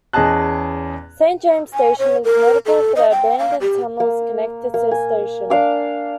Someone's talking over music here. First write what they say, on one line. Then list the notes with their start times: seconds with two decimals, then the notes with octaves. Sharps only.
Saint James station is notable for the abandoned tunnels connected to the station.
0.13 E2 C#4 G#4 D#5 A5 F#6
1.74 G#5
1.99 C#5
2.25 A#4
2.66 A4
2.96 D#5
3.11 G5
3.39 F5
3.61 G4
4.00 A#3
4.74 A#3
4.91 G#5
5.50 D4 F5 D6